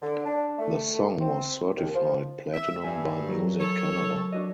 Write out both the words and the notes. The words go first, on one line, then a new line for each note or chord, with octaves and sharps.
The song was certified Platinum by Music Canada.
D3
D4
A3
C4
D#2
F3
E5
G2 E5 G#5
F#3 A#4
A4 C#5
D4 F#4 D#5